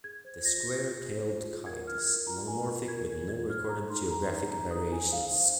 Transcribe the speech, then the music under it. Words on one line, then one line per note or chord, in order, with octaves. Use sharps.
The square-tailed kite is monomorphic with no recorded geographic variations.
G#4 G#6
C5
F4 A#6
F4
G#4
C5
F4
F4
A#4 G#6
F4 F6
A#4
F4 A#5
A#4 G#5
F4
A#4 G#6
F4
G#4 G#6
C5 F6
D#4 A#5
D#4 C6
G#4 A#5
C5
D#4 A#5
D#4 D#6
C5 G#5
D#4 F5
C5 F5